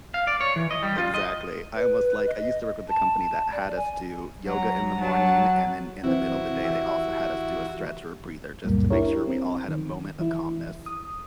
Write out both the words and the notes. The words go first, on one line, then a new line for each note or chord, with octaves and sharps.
Exactly, I almost, like, I used to work with the company that had us do yoga in the morning, and then in the middle of the day they also had us do a stretch, or a breather just to make sure we all had a moment of calmness.
F5
D5
C#5
E3
D#5
G3
F4
D#5
B4
D#5
A5
D5
G#5
F#3 A#5
F#3 A5
C3 E3 C4 E4 F#4
E3 G4 E5
C#2 F#2 A#2 G3 A#3
D4 E4 G4 A#4 C#5
C4
D#3
E3 E4
D#6